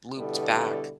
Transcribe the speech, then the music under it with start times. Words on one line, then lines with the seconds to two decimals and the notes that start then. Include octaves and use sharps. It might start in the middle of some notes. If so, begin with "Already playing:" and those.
looped back,
0.17 B2 D3 G3 B3 E4 A4